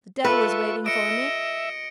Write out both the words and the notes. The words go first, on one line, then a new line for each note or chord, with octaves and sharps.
The devil is waiting for me.
F4 A4 B4 E5 C#6
D#5 E5 C#7 D7